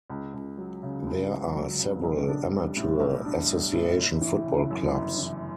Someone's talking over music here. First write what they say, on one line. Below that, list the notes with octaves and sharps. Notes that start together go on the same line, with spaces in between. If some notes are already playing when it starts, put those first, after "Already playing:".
There are several amateur association football clubs.
C#2
C#2
F#3
C#3
C#2
C#2
F#3
C#3
B1
D4
G3
A2
B1
D4
G3
A2
G1
E3
C#3
F#2
G1
E3